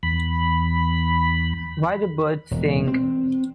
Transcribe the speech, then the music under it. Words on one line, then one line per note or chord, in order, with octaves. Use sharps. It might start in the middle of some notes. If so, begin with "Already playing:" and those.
Why Do Birds Sing?
E2 B5
E1
C4